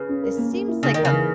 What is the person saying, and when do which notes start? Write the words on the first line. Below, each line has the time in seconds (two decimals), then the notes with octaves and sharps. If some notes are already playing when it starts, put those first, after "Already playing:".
It seems like a
Already playing: C#3 B4
0.09 C#4
0.23 A#4
0.38 A#3
0.53 A#3
0.68 E4
0.83 C#3 D#4
0.94 D#3 A#4
1.05 C#3
1.12 E3